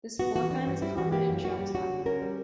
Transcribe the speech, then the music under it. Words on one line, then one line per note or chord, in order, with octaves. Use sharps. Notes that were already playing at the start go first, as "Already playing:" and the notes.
This floor plan is common in Chaac style.
B3 F#4
E3 F#4
D4 F#4
G2
G3 E4
E3 F#4
A#3 G4
F#2
A#3 F#4
G3 G4
C#4 F#4
D3
C#4 A#4
G3